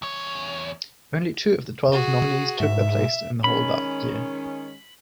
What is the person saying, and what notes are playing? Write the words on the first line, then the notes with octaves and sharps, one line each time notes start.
Only two of the twelve nominees took their place in the hall that year.
E2 C#5
F#4 G#4
G#2 E5
D#3 G#3 C#4 B5